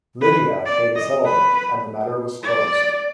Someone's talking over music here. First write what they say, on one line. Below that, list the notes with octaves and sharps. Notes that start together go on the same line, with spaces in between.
Livia paid a settlement and the matter was closed.
B4
D5
D#5
B4
D5